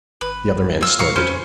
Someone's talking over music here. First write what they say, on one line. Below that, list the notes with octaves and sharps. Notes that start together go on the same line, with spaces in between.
The other man snorted.
G#1 B4
F4 E6
A#2 F5 A#5 C#6
F2 C#4 B4 C5